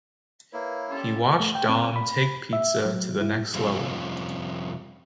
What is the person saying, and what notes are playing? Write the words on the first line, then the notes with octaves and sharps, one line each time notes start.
He watched Dom take pizza to the next level.
A#3 E4 B4 C#5
G3 C#4 A4 C6
A3
G5
C4
B5
E5
F#3
E4
F2 C3 G3 C4 C#4 F4